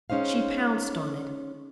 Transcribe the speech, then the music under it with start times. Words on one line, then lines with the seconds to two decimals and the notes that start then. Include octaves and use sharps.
She pounced on it.
0.10 G#3 C#4 D#4 C5 F5